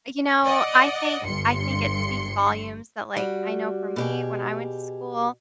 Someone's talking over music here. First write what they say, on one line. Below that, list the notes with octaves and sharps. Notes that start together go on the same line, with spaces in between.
You know, I think I think it speaks volumes that, like, I know for me when I went to school,
D5 D#5 F#5
G1 G2 C6 C#7
G3 F#4
B2 G4 G#4